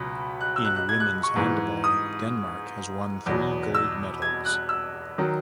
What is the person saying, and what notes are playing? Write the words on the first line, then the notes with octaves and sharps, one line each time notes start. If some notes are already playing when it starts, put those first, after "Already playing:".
In women's handball Denmark has won three gold medals.
Already playing: C#2 B2 F#3
F#6
E6
F#6
F#6
G#6
F#6
C#6
G#2 E3
D#6
E2 B2 F#3
E6
G#6
F#6
E6
D#3 F#3